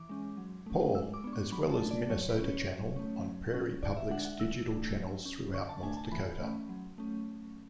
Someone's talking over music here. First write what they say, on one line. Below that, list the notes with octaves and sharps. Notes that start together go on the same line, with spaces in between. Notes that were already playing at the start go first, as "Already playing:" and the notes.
Paul, as well as "Minnesota Channel" on Prairie Public's digital channels throughout North Dakota.
Already playing: E3 D6
G#3 C#4
F#3
A3 C#4
G#3 E6
D6
B3 D4
C#6
F#3 B5
A5
A3 D4
D5
F#3 C#5
B4
C#4
C#5
F#3
A3 C#4
F#3
C#4
D3 D5
E5
G#3 D4 F#5
F#5
E3 E6
A3 D4
F#3
C#4
D3 C#6
A5
A3 D4 G#5
G#5
A5
E3 B5
A3 C#4
F#3
A3 C#4